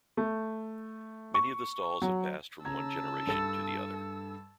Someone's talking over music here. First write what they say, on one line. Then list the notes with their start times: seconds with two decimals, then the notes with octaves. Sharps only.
Many of the stalls have passed from one generation to the other.
0.17 A3
1.34 C#6
2.02 F#3
2.65 C#3 A5 A#5 E6 G#6
3.27 G2 A4 A6